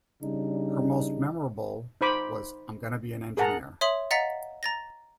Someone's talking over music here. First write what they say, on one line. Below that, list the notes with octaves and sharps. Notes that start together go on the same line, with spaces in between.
Her most memorable was "I'm Gonna Be an Engineer".
C#3 G3 D4 D#4
D#4 C5 B5 D6
G#4 A#4 F#5 A5 A#5
C#5 E5 C6 D#6 F#7
D#5 F5 F#5 A#5 A6 B6
A#5 A6 A#6